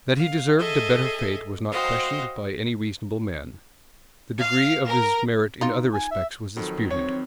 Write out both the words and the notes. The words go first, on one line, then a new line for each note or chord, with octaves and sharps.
That he deserved a better fate was not questioned by any reasonable man: the degree of his merit in other respects was disputed.
F5
G#4 A4 D#5 E5
F#4 C5 D#5 F5 G5
F5
A#4
D#4 F4
G#5
E5
F2 D#3 F#3 A4
C4 C#5